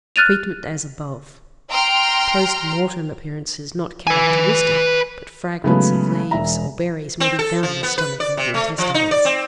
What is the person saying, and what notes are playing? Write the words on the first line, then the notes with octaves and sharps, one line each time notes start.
Treatment as above. Post-mortem appearances not characteristic, but fragments of leaves or berries may be found in the stomach and intestines.
F6 F#6 A6 D#7 F7
G5 A#5 C6 F6
B4 G#5
C#3 E3 F#3 G#3 A3 B3
E1 E5 A#5
C4
A4
F3
B3
B4
D5
C3
A3
F3
D#4
D5
C4